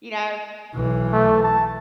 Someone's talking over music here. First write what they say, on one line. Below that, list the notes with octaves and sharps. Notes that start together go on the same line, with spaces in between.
You know?
B1 E3
A3
A5